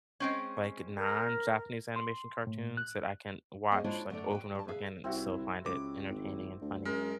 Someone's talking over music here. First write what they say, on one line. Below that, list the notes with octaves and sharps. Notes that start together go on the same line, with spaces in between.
like, non-Japanese animation cartoons that I can watch, like, over and over again and still find it entertaining and funny.
G#3 C4 C#4
A#4
C6
A2
F#6
G3 A#3 C#4 G#4 C5 D#5
G#3 D4 E4 F4 C5 C#5
F#2 D3 A3 D4 D5
F#4 B4 G5
G3 A5
G#4 B4 E5 F5
C2 C4 E4 F#4
C#2 D6
G#1
D2
F#2 G#3 A#4